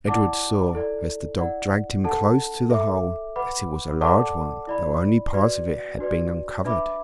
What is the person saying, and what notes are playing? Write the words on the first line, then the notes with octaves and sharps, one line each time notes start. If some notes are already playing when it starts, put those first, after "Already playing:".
Edred saw, as the dog dragged him close to the hole, that it was a large one, though only part of it had been uncovered.
E4 D5 F#5 A5 D6
E4 A4 D5
E4 D5 F#5
D4 A4 F#5 A5
A4 E5 D6
B4 F#5 B5 D6
A4 D5 F#5 A5 D6
E4 D5 B5
F#4 B4 D5
D4 F#4 B4 D5
D4 B4 E5 B5 D6